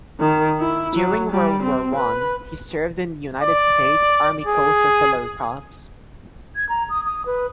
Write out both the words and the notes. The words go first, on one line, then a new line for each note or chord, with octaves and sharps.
During World War One, he served in the United States Army Coast Artillery Corps.
D#3
E4
F#3
G3
C4
B4
D5
G#4
G#6
A#5
D#6
D#6
B4